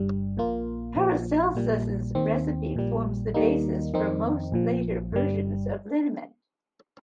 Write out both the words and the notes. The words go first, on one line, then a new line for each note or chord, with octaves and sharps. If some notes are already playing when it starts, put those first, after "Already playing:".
Paracelsus's recipe forms the basis for most later versions of liniment.
Already playing: G1 G2 G3
A#1 A#2 A#3 F4
A#1 A#2 F3
A#1 A#2 G3
D#2 D#3 C4
A#1 A#2 G3
D#2 D#3 G3 A#3 D#4
F2 D#3 C4 D#4
A#1 A#2 F3
G1 G2 G3